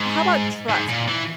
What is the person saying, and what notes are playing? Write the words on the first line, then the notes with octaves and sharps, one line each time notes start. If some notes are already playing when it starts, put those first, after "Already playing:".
How about trust?
Already playing: G#2
G#2
A#2
E3